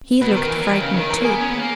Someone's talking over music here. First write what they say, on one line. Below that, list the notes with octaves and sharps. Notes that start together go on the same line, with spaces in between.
"He looked frightened too."
B2 B4
D#3
A#4
D#3
E3
F#3
D#3
C#3
D#3
E3 A#4
A#3
G#4
B3
C#4
B3
A#3